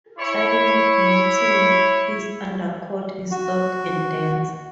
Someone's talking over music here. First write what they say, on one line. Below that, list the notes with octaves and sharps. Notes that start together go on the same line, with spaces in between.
Climate permitting, his undercoat is soft and dense.
E4 C#5
F#4